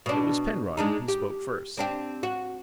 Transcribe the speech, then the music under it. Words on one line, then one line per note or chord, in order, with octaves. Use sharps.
It was Penrod who spoke first.
B2 D4
G#3 D4 D#4
G4
C4 D4 G4
F#4